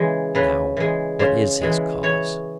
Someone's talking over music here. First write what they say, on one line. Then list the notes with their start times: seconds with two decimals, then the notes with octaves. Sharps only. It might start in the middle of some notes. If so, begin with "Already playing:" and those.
Now, what is his cause?
Already playing: C#3 E3 G#3
0.35 C#3 B4
0.77 E3 G#3
1.19 C#3 C5
1.61 E3 G#3
2.03 E3 C#5